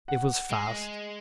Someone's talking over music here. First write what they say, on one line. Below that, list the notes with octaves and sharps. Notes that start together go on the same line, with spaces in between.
It was fast.
F#5
G#3